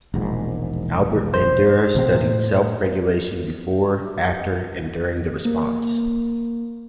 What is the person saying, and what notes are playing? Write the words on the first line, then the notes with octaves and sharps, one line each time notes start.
Albert Bandura studied self-regulation before, after and during the response.
E1 A#1 G#2
C5
A1 B2 C4
A2
A#3